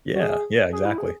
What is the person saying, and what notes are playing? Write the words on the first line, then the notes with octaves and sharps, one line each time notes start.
Yeah, yeah, exactly.
F#4
G#4
G#4
E4
G#4